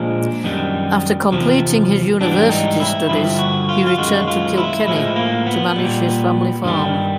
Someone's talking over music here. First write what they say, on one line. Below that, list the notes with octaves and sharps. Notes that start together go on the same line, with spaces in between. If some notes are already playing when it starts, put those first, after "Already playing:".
After completing his university studies, he returned to Kilkenny to manage his family farm.
Already playing: A#2 F3 G#3 D4
F#2 D#3 G3
E2 C3 F3
G#2 E3 G3 D4
D#4
E4
G2 D3 F3 E4
F#4
F4
F4
F#2 D#3 G#3 F#4
F4
E4
A2 F3 G#3 E4
A#3
B3
A#2 G3
G2 D#3 G3